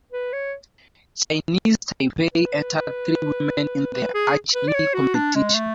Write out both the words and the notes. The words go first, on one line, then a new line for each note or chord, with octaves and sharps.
Chinese Taipei entered three women in the archery competition.
B4
C#5
B4
B4
G#4
B4
D5
C#5
F#4
D4
G#3
A3